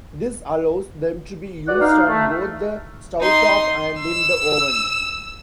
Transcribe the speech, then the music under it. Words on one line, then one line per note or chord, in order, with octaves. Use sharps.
This allows them to be used on both the stovetop and in the oven.
F#4 B4 D5 F#5
D#4 F5
A3
D#4 C6
E6